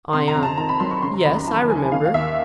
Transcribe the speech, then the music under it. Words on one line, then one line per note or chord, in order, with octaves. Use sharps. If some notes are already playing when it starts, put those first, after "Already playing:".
ION: Yes, I remember.
C3 C6
A#5
F2
A5
D#3 A#5
B5
F#3 C6
C#6
C#3 C6
A#5
D#2 B5
A#5
E3 A5
D#2 G#5
D#3 F5
F5
D#2 E5